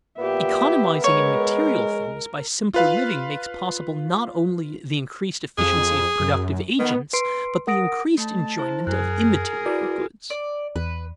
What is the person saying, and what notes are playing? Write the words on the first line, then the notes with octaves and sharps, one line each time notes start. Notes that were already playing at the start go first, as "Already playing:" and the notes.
Economizing in material things by simpler living makes possible not only the increased efficiency of productive agents but the increased enjoyment of immaterial goods.
A#2 B3 G4 E5
G#3 A#4 C#5
F4 B4 F5
F2 G#4
F#2
D#3 B3
B4 C6 C7 D7
A#4 F#5 D#6 A#6 D7
A3 A5
E4 C5
F#2 G#4 A#4 F#6
E4 F#4 B4 D5
D5
E2 B4